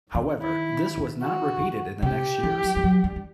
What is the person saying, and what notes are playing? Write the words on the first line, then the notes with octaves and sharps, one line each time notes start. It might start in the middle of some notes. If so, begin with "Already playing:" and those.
However, this was not repeated in the next years.
D#3
E4
F#4
C3 G4
E3
F#3
G3
F#3
G3
G3